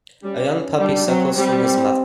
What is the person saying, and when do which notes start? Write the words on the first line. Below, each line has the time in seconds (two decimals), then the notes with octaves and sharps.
A young puppy suckles from his mother.
0.23 G3 C#4
0.80 G3 D4
1.08 F#3 C4
1.36 G3 C4